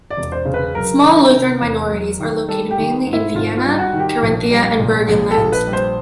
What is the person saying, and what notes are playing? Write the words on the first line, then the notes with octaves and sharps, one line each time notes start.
Small Lutheran minorities are located mainly in Vienna, Carinthia, and Burgenland.
D5
E1
C5
C#3
B4
F#3 A#4
D#3
C3
E2
F#3
D#3
G3 A4
G4
D#3
G#2
E4
G#1 F4
F4
G3
F#4
D#3
G4
A#1
G3
A#2
A#1 G#4
A4
A#1
B4
G3
C5